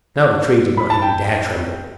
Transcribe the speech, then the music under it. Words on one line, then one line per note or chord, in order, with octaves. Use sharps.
Now the Tree did not even dare tremble.
B5
A5
G5